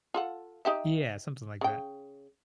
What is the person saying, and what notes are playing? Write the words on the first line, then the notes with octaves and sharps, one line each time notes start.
Yeah, something like that.
F4 A4 F#5
D#4 G4 E5
C#3 G5